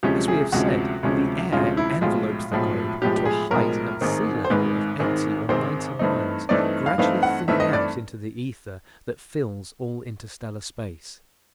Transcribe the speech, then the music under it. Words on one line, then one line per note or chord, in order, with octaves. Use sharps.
As we have said, the air envelopes the globe to a height at sea-level of eighty or ninety miles, gradually thinning out into the ether that fills all interstellar space.
D2 C3 F3 G#3 C#4 G4
G#4
D2 C3 F3 G#3 C#4 F#4
D2 C3 F3 G#3 C#4
D2 C3 F3 G#3 C#4 F4
E4
B1 A2 F3 G#3 F4
B1 A2 F3 G#3
B1 A2 F3 G#3 G4
G4
G#4
B1 A2 F3 G#3 A#4
A1 G#2 D#3 G#3 C4
C5
A1 G#2 D#3 G#3 C4 B4
A1 G#2 D#3 G#3 C4
A1 G#2 D#3 G#3 C4 C5
G2 E3 A3 C4 D#4
G2 E3 A3 C4 D#4 D5
F5
G2 E3 A3 C4 D#4 F5
F#5
G2 E3 A3 C4 D#4 E5
D#5
D5